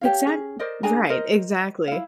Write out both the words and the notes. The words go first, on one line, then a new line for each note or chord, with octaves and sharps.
Exact right, exactly.
G4 C#5 F5
C#4 G#4
A#4 C5 D5 D#5
D4 G#4 G#5 A#5
A#4 C5 D#5
E4 F5